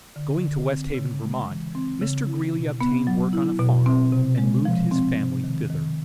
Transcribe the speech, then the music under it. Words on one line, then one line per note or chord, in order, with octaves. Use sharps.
Going to Westhaven, Vt., Mr. Greeley obtained work on a farm, and moved his family thither.
D3
D3
C4
C#3
G#3
E3
C4
C#3
E4
B2
B3
F#3
E4
B2
C4
C3
G#3
F3
C4
C3
D#3
D#3